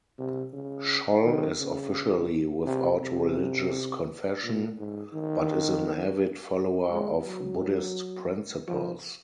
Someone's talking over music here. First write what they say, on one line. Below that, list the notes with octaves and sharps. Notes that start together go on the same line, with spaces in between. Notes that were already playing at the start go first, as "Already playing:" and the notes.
Scholl is officially without religious confession, but is an avid follower of Buddhist principles.
C3
C#3
D#3
C#3
C3
C3
A#2
G#2
D#3
G#3
F#3
F3